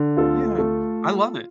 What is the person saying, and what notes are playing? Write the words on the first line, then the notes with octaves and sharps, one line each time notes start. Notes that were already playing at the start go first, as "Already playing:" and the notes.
Yeah, I love it.
Already playing: D3
D2 F4 A4
A3